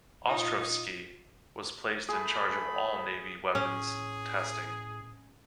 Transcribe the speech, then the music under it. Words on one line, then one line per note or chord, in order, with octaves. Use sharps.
Ostrovsky was placed in charge of all Navy weapons testing.
A#2 D#4 F4
A3 G#4 B5
A2 C#4 G#4